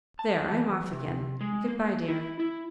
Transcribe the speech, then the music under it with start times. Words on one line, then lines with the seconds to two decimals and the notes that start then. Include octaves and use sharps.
There, I am off again.... Good-bye, dear.
0.19 A5
0.52 E3
0.92 C3
1.41 G#3
1.68 A#3
2.08 E4
2.40 E4